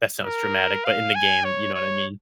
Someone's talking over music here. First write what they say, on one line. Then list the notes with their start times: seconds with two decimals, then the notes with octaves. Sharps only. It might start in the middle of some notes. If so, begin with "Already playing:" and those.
that sounds dramatic, but in the game, you know what I mean.
0.24 A#4
0.85 F5
1.15 G#5
1.44 C#5
1.74 C#5